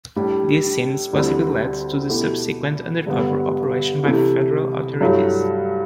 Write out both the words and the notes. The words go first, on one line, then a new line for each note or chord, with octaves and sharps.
These scenes possibly led to the subsequent undercover operation by federal authorities.
A2 G3 D4
D2 D3 G3 C4 E4
B2 A3 E4 G4
G2 D3 G3 B3
C3 E3 A3 E4
G2 F#3 A3 E4